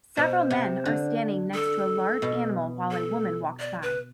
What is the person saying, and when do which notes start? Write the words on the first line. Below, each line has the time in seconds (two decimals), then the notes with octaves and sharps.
Several men are standing next to a large animal while a woman walks by.
0.17 B2 C5
0.50 C3
0.85 D3
1.54 A4
2.22 B2
2.91 A4
3.60 D5
3.82 B4